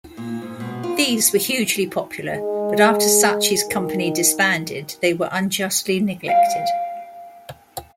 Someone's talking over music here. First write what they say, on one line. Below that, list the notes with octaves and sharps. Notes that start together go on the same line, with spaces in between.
These were hugely popular, but after Sacchi's company disbanded, they were unjustly neglected.
A#2
G#2
B2
F4
G#3
D#3
F5 G5